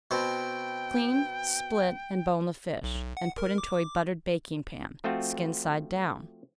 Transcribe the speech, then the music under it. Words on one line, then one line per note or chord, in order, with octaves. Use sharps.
Clean, split, and bone the fish, and put into a buttered baking-pan, skin-side down.
B2 C4 G5
B1
B1
F#5
A#4
D6
F3 A3 C4 F4 F#4